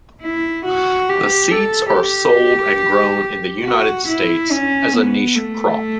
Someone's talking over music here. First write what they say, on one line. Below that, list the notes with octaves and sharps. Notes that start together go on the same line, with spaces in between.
The seeds are sold and grown in the United States as a niche crop.
E4
F#4
G4
A4
G4
F#4
E4
C#4
B3
A3